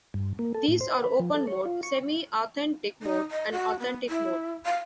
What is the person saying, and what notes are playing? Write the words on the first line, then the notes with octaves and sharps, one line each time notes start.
These are Open Mode, Semi-Authentic Mode and Authentic Mode.
G2
A#3
A4
A2
C5
B4
F3
A4
C#5
F4
C#6
D#4
D#5
F#4
B3
E4
F5